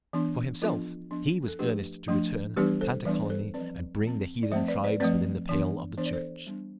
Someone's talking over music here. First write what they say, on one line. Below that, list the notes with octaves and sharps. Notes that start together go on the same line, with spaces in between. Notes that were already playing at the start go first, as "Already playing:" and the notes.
For himself, he was earnest to return, plant a colony, and bring the heathen tribes within the pale of the Church.
E3 B3 D4
F3 B3 D4 F4 A4
F3 B3 D4
A4
F3 A3 D4 G4 B4
F3 A3 D4
E3 G3 B3 D4 G4 B4
A4 C5
E3 G3 B3 D4 B4 D5
B4
A4 C5
F3 C4 B4 D5
F3 C4
D5
F3 A3 C4 C5 E5
B4 D5
B4 D5
F3 A3 C4 B4 D5
E3 B3 D4
E3 B3 D4 C5
D5
A4 C5
G3 B3 D4